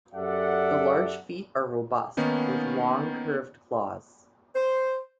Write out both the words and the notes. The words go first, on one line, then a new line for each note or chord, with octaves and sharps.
The large feet are robust, with long curved claws.
F#2 G4 A4 D5 E5 F#5
D#3 A#3 B3 C#4 D#4
C5